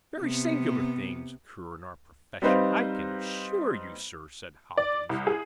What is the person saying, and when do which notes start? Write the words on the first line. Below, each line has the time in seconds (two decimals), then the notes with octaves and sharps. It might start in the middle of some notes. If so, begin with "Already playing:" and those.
'Very singular things occur in our profession, I can assure you, Sir,' said Hopkins.
0.20 C3 B3
2.42 G3 C4 D#4 B4 C5 F5
4.77 D5
5.09 C2
5.27 G#4